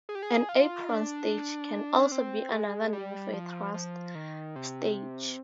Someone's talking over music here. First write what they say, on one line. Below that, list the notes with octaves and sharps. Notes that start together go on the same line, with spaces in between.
An apron stage can also be another name for a thrust stage.
G#4
G4
G#4
F4
D4
C4
G#3
G3
F3
F3
D#3
C3